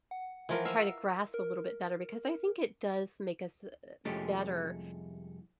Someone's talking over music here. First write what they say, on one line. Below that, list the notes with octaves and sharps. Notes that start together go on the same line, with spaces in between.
try to grasp a little bit better, because I think it does make us, uh uh better
F#5
E3 F3 A#4
E5 F5
A#4
C2 F2 G#3 A3 C#4 G4